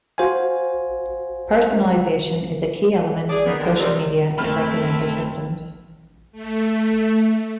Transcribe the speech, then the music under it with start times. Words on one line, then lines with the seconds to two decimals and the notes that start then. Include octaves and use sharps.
Personalization is a key element in social media and recommender systems.
0.18 F#4 C5 F5 G#5
3.30 G#4 D5
3.47 A#3 B3 C#4 D#4 G#4
3.59 D3 D#3
3.79 C3 D#3 F#3 G3
4.38 F#1 A3 C4 E4 A4 B5 F6
6.32 A3